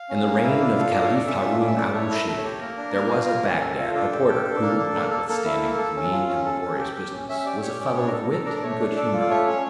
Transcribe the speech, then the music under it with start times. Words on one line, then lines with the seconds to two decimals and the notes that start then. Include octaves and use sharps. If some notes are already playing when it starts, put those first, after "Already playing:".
In the reign of Caliph Haroon al Rusheed, there was at Bagdad, a porter, who, notwithstanding his mean and laborious business, was a fellow of wit and good humour.
Already playing: F5
0.09 C#4
0.26 A#3
0.43 E4
0.60 D4
0.76 F4 A4
0.91 D4 A#4
1.04 C#5
1.10 A4 D5
1.27 C#4 E5
1.43 F4
1.60 C#4 D5
1.68 E5
1.77 A4 D5
1.94 A3 C#5
2.10 E4
2.15 A#4
2.27 A3
2.38 C#5
2.44 G4
2.60 A#3 A#4
2.77 D4
2.94 A#3
3.11 F4
3.28 A#3
3.45 C#4
3.61 A4
3.78 F4
3.95 D4 A4
4.11 G4
4.28 G4
4.44 D4
4.61 A#3
4.79 D4
4.94 A#3
5.11 A4
5.29 A#3 A4
5.45 E4
5.62 A#3
5.78 A4
5.96 C#4
6.12 F4
6.29 C#4
6.45 A4
6.62 C#4
6.78 G4
6.95 G4
7.12 C#4
7.29 C#4 E5
7.39 E5
7.46 G4 D5
7.62 G4 C#5
7.79 C#4 D5
7.95 D4 C#5
8.07 A#4
8.13 A4
8.29 A4 A#4
8.46 D4 A#4
8.55 D5
8.63 A3 C#5
8.79 D4
8.96 A4 D5
9.13 F4
9.20 D5
9.30 A3 C#5
9.47 C#4